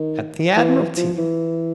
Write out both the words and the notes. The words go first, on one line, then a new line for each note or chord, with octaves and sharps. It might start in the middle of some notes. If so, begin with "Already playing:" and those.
"At the Admiralty."
Already playing: D#3
E3
F3
E3